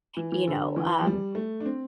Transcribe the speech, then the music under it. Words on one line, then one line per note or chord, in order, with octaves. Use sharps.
you know, um,
E3
E3
D3
E3
F3
G3
A3
D4
C4